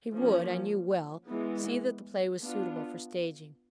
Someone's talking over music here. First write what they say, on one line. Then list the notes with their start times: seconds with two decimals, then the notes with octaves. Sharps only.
He would, I knew well, see that the play was suitable for staging.
0.14 F3 A#3 C#4
1.28 E3 G#3 B3
2.41 B3 D4 F4